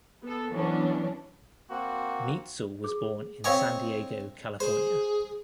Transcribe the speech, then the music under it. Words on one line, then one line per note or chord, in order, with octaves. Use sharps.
Neitzel was born in San Diego, California.
B3 A4
E3 F#3 B3 C#4 D4
A#3 C4 F#4
G#4
C4 C#5 D#5 F5 G5 G#5
G#4 C5